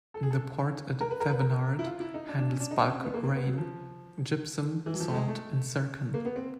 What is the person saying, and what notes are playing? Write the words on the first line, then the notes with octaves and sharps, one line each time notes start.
The port at Thevenard, handles bulk grain, gypsum, salt and zircon.
A4
G#4
A4
A#4
B4
A#4
B4
A#4
E4
F4
E4
D#4
D4
D4
C#4
D4
D#4
C#4
C4
B3
A#3
C4
B3
F#3
F3
E3
F#3
F3
A3
G#3
A3
A#3
B3
C4